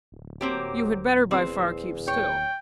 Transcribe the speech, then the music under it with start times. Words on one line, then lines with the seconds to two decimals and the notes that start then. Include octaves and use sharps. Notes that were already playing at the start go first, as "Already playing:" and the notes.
You had better by far keep still.
0.12 D1
0.41 F#3 A#3 C4 G4
1.31 E2 C4
2.08 C#5 G5